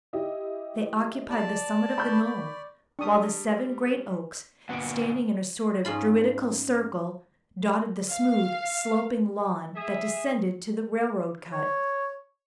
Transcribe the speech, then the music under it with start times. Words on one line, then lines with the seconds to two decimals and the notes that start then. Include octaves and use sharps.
They occupied the summit of the knoll, while the seven great oaks, standing in a sort of druidical circle, dotted the smooth, sloping lawn that descended to the railroad cut.
0.13 E4 G4 D#5
1.30 D5 A5
1.98 B5 C#6 G6
2.24 D5
2.99 G3 D4 C#6 D#6
4.69 G1 A#2 B3 F#5 D7
5.85 G#2 C#4 F4 B5
8.10 F5
9.75 G#4 E5
11.53 C#5